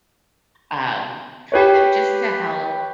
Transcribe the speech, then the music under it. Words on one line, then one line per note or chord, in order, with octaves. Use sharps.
Um, kind of just to help
G4 B4 C#5